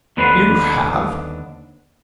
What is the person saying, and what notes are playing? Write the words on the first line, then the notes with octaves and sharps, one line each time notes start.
"You have?"
D#2 D3 B3 D4 B4 C5